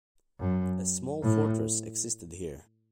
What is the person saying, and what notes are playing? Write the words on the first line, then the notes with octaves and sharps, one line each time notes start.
A small fortress existed here.
F#2
A2